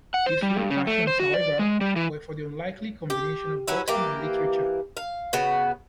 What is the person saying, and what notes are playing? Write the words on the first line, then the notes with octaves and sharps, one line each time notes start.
His real passions, however, were for the unlikely combination of boxing and literature.
F#5
C5
G3
G2
C#3
A3
C5
F#4
D5
G#3
G3
E3
G4
F#3 C#4 E4
E3 A#3 G4
F5
C#3 B3 F#4